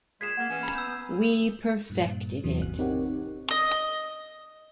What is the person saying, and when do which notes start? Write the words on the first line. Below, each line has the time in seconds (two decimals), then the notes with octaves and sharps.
We perfected it.
0.21 A#2 G#3 G#4 G#6 B6 C7 E7
0.37 A#3 F#5 F6
0.49 E3 C#4
0.63 A#5 B5
0.75 B3 E6 G6
1.90 G2 A#2
2.44 E2 C3 E3 F#3
2.61 A1 G#2 F#6
2.78 C4 D#4 G4 A#4 C#5 F#5
3.51 D#5